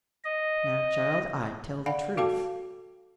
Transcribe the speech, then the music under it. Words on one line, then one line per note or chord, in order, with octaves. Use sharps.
Now, child, I tell the truth.
D#5
D5 F5 F#5 G#5 B5
F#4 A4 F5 G5 A5 D6